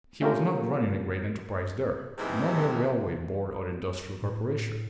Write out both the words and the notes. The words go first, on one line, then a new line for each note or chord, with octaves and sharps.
He was not running a great enterprise there; no mere railway board or industrial corporation.
G#3 A3 C#4 F4 G4 A#4
D#2 G#2 C3 E3 G3 G#3
A2